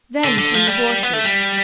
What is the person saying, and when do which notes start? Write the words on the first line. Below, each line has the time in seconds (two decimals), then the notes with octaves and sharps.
Then came the horses.
0.24 D3
0.39 D3
0.54 F3
0.67 G3
1.03 B3
1.13 A3
1.25 G3